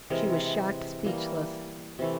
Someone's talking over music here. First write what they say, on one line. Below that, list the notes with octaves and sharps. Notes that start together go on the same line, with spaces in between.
She was shocked speechless.
C3 E3 G#3 A#4
E3 G3 A#3
C3 E3 A3